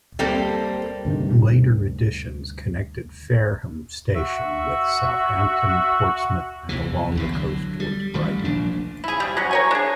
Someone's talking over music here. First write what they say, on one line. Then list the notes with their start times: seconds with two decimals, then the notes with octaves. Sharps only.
Later additions connected Fareham station with Southampton, Portsmouth and along the coast towards Brighton.
0.19 G3 A#3 C4 A4
1.05 D2 G2 C3 D#3
4.16 F#4 E5
6.69 F1 E2 C3 E3
7.15 B1 E2 C#3
7.33 D3 F#3
7.80 G3
8.14 A1 D#3 G3 A3
8.44 F1 A#1 A#2 D4
9.04 E4 G#4
9.20 G3
9.37 F#3 C#4
9.51 A#4 C#5 G#5
9.71 D4 G#4